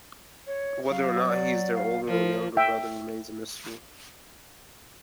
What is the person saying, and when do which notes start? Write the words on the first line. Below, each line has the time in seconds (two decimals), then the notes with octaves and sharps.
Whether or not he is their older or younger brother remains a mystery.
0.47 C#5
0.90 F#3 F5
1.28 D5
1.75 F5
2.08 F3 A#4
2.57 E5 G5